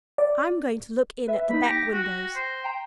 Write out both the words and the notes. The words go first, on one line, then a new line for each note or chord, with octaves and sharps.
I'm going to look in at the back windows.
D5
B4 E5
A#3 D#4 B5
G4 G5 A#6
F#4
C5
G5 A#5